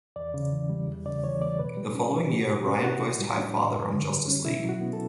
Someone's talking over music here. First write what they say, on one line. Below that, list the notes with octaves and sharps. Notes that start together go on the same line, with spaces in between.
The following year, Ryan voiced Highfather on "Justice League".
E2 D5
C#3
E3
G3
E2
C#3 D5
E3 C#5
A3 D5
B2 B4
G3
C#4
B2
F#4
B2 G4
F#4
A3 G4
C#4 F#4
E4 F#4
A2
G3
D4
A2
F#2
D3
G3
C#4
B2 E4
F#3
F#4
B3
A4